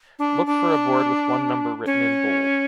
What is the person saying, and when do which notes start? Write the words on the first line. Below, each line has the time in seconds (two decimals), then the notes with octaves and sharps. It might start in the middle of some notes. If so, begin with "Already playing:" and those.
Look for a board with one number written in bold.
0.19 D4
0.46 D4
1.86 C#4